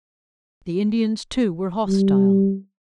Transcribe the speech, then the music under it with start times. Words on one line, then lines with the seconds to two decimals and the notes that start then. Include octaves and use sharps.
The Indians, too, were hostile.
1.88 G3